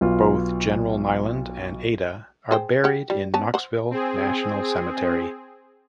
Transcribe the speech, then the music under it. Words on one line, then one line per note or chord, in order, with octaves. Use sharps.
Both General Neyland and Ada are buried in Knoxville National Cemetery.
B1 B3 F4
G#4 C5 G5
G4 F#5
G3
B3 C#4 A5
C5 F#5
C4 G#4